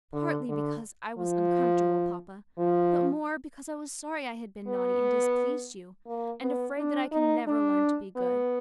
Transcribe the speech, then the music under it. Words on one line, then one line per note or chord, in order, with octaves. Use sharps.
"Partly because I was uncomfortable, papa, but more because I was sorry I had been naughty, and displeased you, and afraid that I can never learn to be good."
D3
D3
F3
F3
B3
A#3
B3
D4
D#4
D4
B3